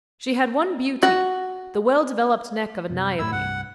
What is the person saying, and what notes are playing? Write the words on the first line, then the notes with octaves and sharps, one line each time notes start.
She had one beauty--the well-developed neck of a Niobe.
F#4
F#2 C3
F#2 A2 E4 E6
C2 G2 F#5